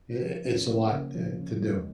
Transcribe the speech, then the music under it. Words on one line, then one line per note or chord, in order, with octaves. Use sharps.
i i it's a lot, eh, to do,
F3
C#4
A#3
C#3
F3
C#4
G#3